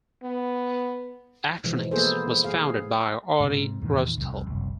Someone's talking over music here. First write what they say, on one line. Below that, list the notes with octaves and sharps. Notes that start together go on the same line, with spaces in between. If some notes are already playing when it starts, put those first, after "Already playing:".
Artronix was founded by Arne Roestel.
B3
B2 E3 F3 G#3
A#3 B3 E4 G#4 A4 C5
G#4 F5
G#2 C3
E2 A#2 D#3
C2 F2
F#1 C2